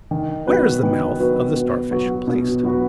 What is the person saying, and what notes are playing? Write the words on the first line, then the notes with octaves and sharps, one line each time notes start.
Where is the mouth of the Starfish placed?
D#3
F#3 B3 F#4 B4
D#3
F#3 B3 F#4 B4
B2
F#3 B3 F#4 B4
B2
F#3 B3 F#4 B4